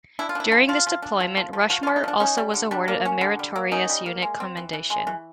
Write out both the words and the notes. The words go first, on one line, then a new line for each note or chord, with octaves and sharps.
During this deployment, "Rushmore" also was awarded a Meritorious Unit Commendation.
D4 E4
F4
D4 E4
F3
F3 F4
F3
D4
F3
F3
F3
F3 F#4
F4
F3
D#4
F3 D4
C#4 D#4
G3
D3
G3 D4
A#3
C#4
D3
G3
A#3
C#4 D#4
G3
A#3
G#3
C4
E3
E3
G#3
E3